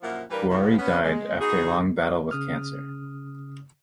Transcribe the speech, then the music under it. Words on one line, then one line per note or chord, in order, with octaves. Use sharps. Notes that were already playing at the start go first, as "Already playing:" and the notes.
Wuori died after a long battle with cancer.
F#2 A#2 F3 A#3 E4 F#5
E3 G3 A#3 D4 A#4 B4
A2 C3 F3
B3 C#4
G#3
B3 D#4 F#4 G#4
C#3 D#6 F6